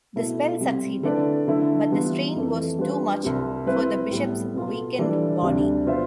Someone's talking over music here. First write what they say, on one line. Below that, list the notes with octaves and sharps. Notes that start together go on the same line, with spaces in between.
The spell succeeded, but the strain was too much for the Bishop's weakened body.
B2 A3 E4
C3 G3 C4
D3 A3 E4 B4 D5
D3 A3 E4
E3 G3 B3 F4
F2 E3 A3
G3 D4 F4 B4
C2 C3 G3 C4
G3 C4 E4 B4
A2 G3 B3
B2 B3 F4 A4
E3 G3 D4 A4 D5
D2 C3 G3 D4
B2 B3 F4 C5 E5